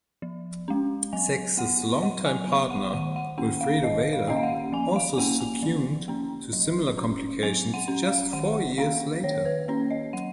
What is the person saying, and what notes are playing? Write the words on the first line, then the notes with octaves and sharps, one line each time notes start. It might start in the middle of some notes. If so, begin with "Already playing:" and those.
Sex's longtime partner, Wilfredo Vela, also succumbed to similar complications just four years later.
F3
G#3 C#4
F#3 G#5
B3 F#5
F#3 F#5
G#5
B3
F#5
D#3 F#5
F#5
A#3 C#4 F#5
F5
D#3 D#5
F5
A#3 C#4 D#5
F5
F#5
F3 G#5
F5
G#5
A#3 C#4 F#5
G#5
F3
A#3 C#4
F#3
C#4
F#3 G#5
F#5
C#4
F5
D#3 F#5
A#3 C#4 F5
D#3 C#5
B4
A#3 C#4 C#5
D#5
F#3 F#5